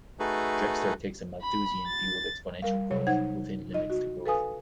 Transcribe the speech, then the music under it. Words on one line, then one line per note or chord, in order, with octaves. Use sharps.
Drexler takes a Malthusian view of exponential growth within limits to growth.
A3 D#4 F#4 G#4 A4 B4
B5
A6
G3 A#4 F5
C3 F#3 C#5
D#4 C5 F#5 G#6
D#4 F4 D#5
F#4
A4 B4 F5 G#5 D#6